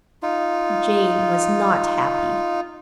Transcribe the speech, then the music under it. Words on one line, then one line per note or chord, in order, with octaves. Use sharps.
Jane was not happy.
D#4 F4